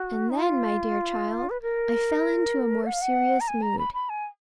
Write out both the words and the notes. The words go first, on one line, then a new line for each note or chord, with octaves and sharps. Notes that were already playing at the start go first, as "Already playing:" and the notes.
And then, my dear child, I fell into a more serious mood.
Already playing: F#4
D#4
F4
B4
A#4
F#5
F5
F#5
A#5
G#5
A#5
B5
B5
G#5